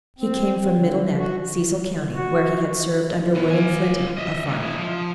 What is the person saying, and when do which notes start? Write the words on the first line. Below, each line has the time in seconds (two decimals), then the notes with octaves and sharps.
He came from Middle Neck, Cecil county, where he had served under William Flintham, a farmer.
0.19 C4
0.76 D3
1.18 F#4
2.14 F#4
3.35 E3 B3
3.50 F4 G#5
4.17 D#5 E5
4.47 G#2 D#3
4.61 E4 D#5
4.77 F3